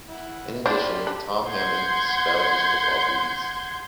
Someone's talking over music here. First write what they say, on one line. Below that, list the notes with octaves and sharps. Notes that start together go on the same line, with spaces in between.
In addition, Tom Hammond spelled his football duties.
E4 F#5
F#3 A#3 D4 G4 C5 B5 C6
D4
F#5 C6 G6 G#6